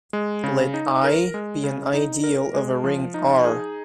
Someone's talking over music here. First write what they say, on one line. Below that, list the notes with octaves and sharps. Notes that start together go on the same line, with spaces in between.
Let "I" be an ideal of a ring "R".
G#3
C#3
D#4
A#4
G#3
C#3
D#4
A#4
G#3
F3
D#4
G#4